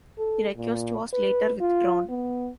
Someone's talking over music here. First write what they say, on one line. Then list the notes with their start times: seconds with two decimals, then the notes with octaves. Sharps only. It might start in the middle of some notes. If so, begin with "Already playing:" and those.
The request was later withdrawn.
0.19 A4
0.57 A#2
1.13 B4
1.61 F4
2.09 B3